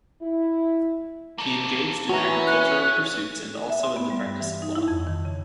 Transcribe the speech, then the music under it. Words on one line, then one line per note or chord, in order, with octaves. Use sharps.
He engaged in agricultural pursuits and also in the practice of law.
E4
A#3 A4
E3 C#4 F#4 A#5
F#6
E5
C6
B3
G3
G2
E3
D#4
E4
F2
D#3
C#3